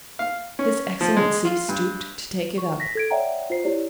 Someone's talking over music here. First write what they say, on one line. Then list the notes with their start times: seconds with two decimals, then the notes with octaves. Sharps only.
His Excellency stooped to take it up.
0.19 F5
0.59 C#4
1.01 F3
1.17 G#3
1.45 F4
1.69 G2
2.58 C#6
2.80 A#6 B6
2.95 A4 G#6 D7
3.10 C#5 D5 E5 F#5 G5 A#5
3.50 F4 C5 C7
3.64 E4 G4 C#5 D5